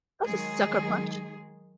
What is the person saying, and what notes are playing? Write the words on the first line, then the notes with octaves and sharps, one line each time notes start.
That's a sucker punch.
D#3 F#3 G#3 G#4